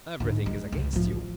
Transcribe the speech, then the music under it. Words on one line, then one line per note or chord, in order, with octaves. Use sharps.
Everything is against you.
G#2 D3
G#3
C#2
A1 F3